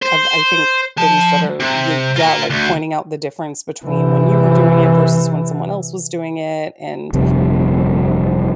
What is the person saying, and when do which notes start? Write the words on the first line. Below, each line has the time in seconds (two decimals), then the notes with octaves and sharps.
of I think, things that are ye yeah, like, pointing out the difference between when you were doing it versus when someone else was doing it and,
0.02 C5
0.97 F3 A5
1.60 C3
2.16 F4 A#4
2.50 D2
3.85 C3 E3
7.13 G1 F2 C3